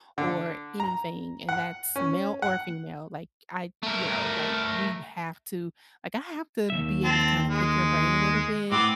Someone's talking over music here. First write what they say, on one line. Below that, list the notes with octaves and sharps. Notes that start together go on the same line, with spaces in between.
or anything, and that's male or female, like, I you know, like, we have to like, I have to be able to kinda pick your brain a little bit,
D3
A#5
F#5
C#4
F#5
A3 A#4
D#2 D#3 E5
C4 A5
G#3
A2 B3 C4 D6